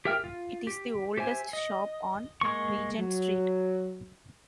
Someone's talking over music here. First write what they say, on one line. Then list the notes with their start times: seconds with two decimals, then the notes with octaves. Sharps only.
It is the oldest shop on Regent Street.
0.05 G4 A#4 E5 G5 F6
0.24 F4
0.67 G4
1.17 G4 C5 E5 G#5
1.53 D#5
2.41 G#3 A#3 C#6
2.99 F#3